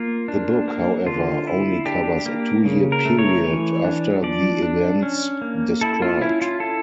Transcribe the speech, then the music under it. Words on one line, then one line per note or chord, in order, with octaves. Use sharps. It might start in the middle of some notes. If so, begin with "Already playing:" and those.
The book, however, only covers a two-year period after the events described.
Already playing: A#3 F4
D4
A#3
D3 F4
E4
D4 G4
A#3
C#3
A#4
A3
C#5
E3
D4
F3 D5
D4
C#4
A#3
E4 A4
F4
C#4 E4
F4
E4 A4